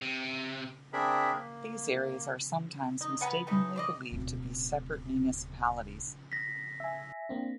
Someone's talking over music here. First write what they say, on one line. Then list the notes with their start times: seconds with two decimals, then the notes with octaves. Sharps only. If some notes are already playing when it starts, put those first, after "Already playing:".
These areas are sometimes mistakenly believed to be separate municipalities.
0.02 C3
0.93 C4 D4 G#4 A#4 E5 B5
1.33 A#3
3.01 D#4
3.21 B3 F#5 G#5 A#5
3.47 C#3 E3 A3 D#4
3.76 C5 D5 D#5
4.12 D1 B2
6.32 A#6 B6
6.80 E5 G#5
7.29 A#3 C4 D4